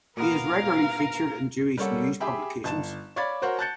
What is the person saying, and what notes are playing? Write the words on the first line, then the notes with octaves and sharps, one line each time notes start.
He is regularly featured in Jewish news publications.
A#2 B3 A#4 B4 F5 A#5
G3 A#3 A4 C#5 F#5
G4 G#4 E5 G5 B5
G1 A5 E7
C#5 D5 F5 B5 G#6 A6
F#4 A#4 C5 C#5 F#5
A5 F#6 G6 A6 C#7